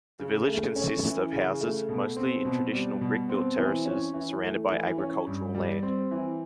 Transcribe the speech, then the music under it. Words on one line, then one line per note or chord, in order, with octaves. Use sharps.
The village consists of houses, mostly in traditional brick-built terraces, surrounded by agricultural land.
C#3
A3
C#4
E3
C#3
A3
B2
C4
B2
G3
B2
C4
E3
C#4
E3
A3
E3
C#4
G2
G3
C4
E3